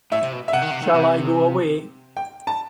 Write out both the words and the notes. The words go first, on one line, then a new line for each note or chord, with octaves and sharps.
Shall I go away?
A2 E5
C3
B2
E5
C3 F#5
D#3
C3
D#3
C3
G5
A5